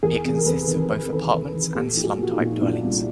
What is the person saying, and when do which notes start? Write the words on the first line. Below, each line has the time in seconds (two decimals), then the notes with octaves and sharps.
It consists of both apartments and slum-type dwellings.
0.03 E2 G#4 A#4
0.24 C3
0.38 A#4
0.46 E2 A4 B4
0.68 D#3
0.89 E2 B4
1.01 A#4
1.11 D#3 A4 B4
1.32 E2
1.53 D#3
1.75 A#2 G4 A4
1.97 F3
2.04 F#4 G#4
2.18 A#3 F#4
2.32 D#4 F4
2.40 A#2
2.51 D#4
2.61 A#2 D4 E4
2.83 C2